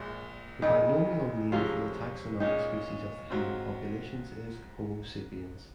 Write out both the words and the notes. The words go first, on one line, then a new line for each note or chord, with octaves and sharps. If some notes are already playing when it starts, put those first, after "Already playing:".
The binomial name for the taxonomic species of the human population is "Homo sapiens".
Already playing: A#1 A#2 G#3
F1 F2 C#3 D#4
C#2 C3 F3 G#3 C#4 F4
A#2 G#3 C#4 D#4
G#2 F#3 C4 F4